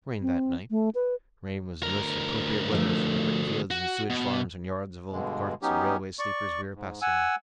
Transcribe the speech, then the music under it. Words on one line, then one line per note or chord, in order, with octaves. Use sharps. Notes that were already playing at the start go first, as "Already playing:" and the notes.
It rained that night; rain was the most appropriate weather for the brickfields and sewage-farms and yards of old carts and railway-sleepers we were passing.
C4
A3
B4
D2 A#4
F3 A3
F#4 F#5
B2
G2 B2 D3 G#3
F#3 B3 C#4 D#4 G4
D5 C#6
G#2
F#5 G#5 E6